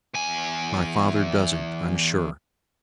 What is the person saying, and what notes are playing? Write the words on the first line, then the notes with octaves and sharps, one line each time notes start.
My father doesn't, I'm sure.
E2 G#5